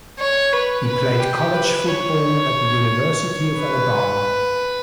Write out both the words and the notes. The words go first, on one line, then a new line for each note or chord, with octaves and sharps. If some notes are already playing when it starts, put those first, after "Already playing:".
He played college football at the University of Alabama.
C#5
B4
B4
G4
B4
C#5
B4